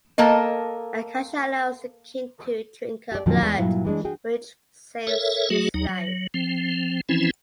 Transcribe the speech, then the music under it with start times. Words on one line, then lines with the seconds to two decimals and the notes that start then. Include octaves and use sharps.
Akasha allows the king to drink her blood, which saves his life.
0.18 A#3 A4 A#4 D#5
3.12 G4 D5
3.26 F2 A#2 D3 D#3 F3 F#3
3.42 E2 G#3 B4 D5
3.58 G2 A#2 F#3 E4 F5
3.84 E3 G#3 D4
4.05 F#4 G#4 G5
5.07 A4 A#4 C#5 E5
5.50 F#3 A3 F#4 G#4
5.74 D#2 F#3 D#4
5.89 F#3
6.34 F3 C4
7.09 E3 F3 C4 C#4 E4